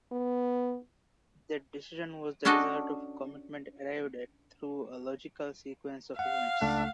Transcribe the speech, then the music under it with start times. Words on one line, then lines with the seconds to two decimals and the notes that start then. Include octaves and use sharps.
That decision was the result of a commitment arrived at through a logical sequence of events.
0.12 B3
2.45 C#4 D4 F#4 A4 D#5
6.19 F5 F#5
6.61 C#2 A3 D4 F#6